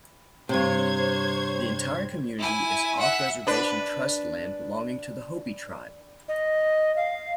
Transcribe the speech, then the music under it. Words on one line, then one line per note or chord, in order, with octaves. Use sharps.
The entire community is off-reservation trust land belonging to the Hopi tribe.
G2 C3 C5 C#5 G#6
E4 G#5
E5 F#5
D4 B4
D#5
F5